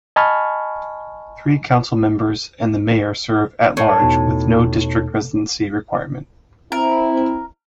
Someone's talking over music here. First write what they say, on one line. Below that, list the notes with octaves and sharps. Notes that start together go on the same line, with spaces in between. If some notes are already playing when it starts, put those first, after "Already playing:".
Three Council Members and the Mayor serve "At Large" with no district residency requirement.
D#5 G#5 A5 B5 C#6 F6
A2
E2 B2 D#4
C4 E4 A#4